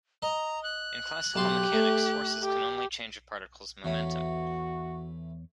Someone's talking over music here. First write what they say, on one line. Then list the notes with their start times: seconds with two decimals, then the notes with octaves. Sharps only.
In classical mechanics, forces can only change a particle's momentum.
0.22 D#5 A#5
0.63 F#6
1.36 B1 G4 A5 C6
1.73 A3
2.43 G4
3.84 E2 E3 A3 F#4 C#5 B5